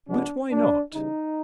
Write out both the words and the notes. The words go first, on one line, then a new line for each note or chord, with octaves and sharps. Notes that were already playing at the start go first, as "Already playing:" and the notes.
"But why not?"
C3 F3 G#3 B3 D4
A#2 F#3 A#3 D4
C#3 E3 G3 D#4